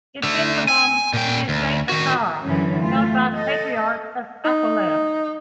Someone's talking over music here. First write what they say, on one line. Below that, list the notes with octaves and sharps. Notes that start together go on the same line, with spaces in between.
It then belonged to the estate of Farra, held by the Patriarchs of Aquileia.
D3 A3
G#5
A#2 G5
D2
D#3 F#4
F#2 D3 E3 G3 C#4
A3 F4
A4 D#5
D#4